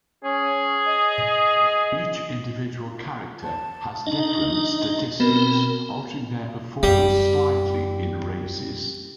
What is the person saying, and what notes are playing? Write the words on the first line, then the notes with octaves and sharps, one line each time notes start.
Each individual character has different statistics, altering their performance slightly in races.
C#4 G#4
D#5
A5
D4 D#4 D#5
B2 C4 A#4 B5
F#2 G3 C4